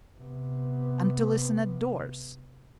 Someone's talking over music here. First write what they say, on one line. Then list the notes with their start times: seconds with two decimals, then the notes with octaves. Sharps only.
"And to listen at doors!"
0.18 C3 B3